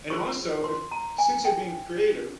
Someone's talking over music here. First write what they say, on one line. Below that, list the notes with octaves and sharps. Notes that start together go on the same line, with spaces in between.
and also if since you're being creative,
F4 G#4 C5 C#6
C6
A#5
G#5
G5